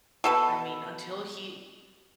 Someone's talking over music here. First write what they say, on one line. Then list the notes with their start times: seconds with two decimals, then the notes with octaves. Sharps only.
I mean, until he,
0.24 B2 A4 B4